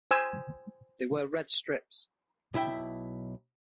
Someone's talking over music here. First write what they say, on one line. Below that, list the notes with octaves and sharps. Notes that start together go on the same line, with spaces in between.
They wear red strips.
C5 G#5 E6
B1 E4 E5 G5